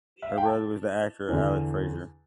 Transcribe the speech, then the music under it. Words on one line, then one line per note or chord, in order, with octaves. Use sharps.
Her brother was the actor Alec Fraser.
E5
F5
G5
A5
E2 D3